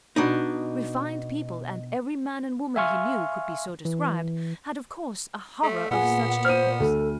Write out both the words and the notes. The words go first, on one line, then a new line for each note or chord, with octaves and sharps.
Refined people--and every man and woman he knew could be so described--had, of course, a horror of such topics.
B2 D4 D#4
E5 F5 G#5 C6 C#6 F6
E3
A3
A#2 B3 F4 G#4 F#5 G#5
C5 F6 D#7
D2 A4